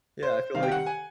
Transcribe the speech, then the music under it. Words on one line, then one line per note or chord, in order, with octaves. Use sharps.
Yeah, I feel, like,
C5
C3 D#3 G3 F5
G5
F#5
G#5